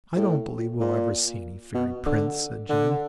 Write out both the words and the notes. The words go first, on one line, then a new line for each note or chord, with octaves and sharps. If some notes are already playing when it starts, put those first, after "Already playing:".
"I don't believe we'll ever see any fairy prince," said Jimmie.
A2
A#2
B2
D3
D3